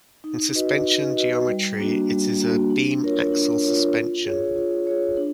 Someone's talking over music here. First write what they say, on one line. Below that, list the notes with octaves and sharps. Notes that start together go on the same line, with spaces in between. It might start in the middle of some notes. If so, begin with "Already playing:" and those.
In suspension geometry it is a beam axle suspension.
D#4
F#4 B4 D#5
D#4
F#4 B4 D#5
G3
A#3 D4 F#4
G3
A#3 D4 F#4
D4
F4 A#4 C#5
D4
F4 A#4 C#5
F4
G#4 C#5
F4
G#4 C#5
D4